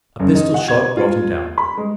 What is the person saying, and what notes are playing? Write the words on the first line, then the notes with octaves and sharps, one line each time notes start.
A pistol-shot brought him down.
F#1
D#4
F#5
G#6
F4
B5
G#3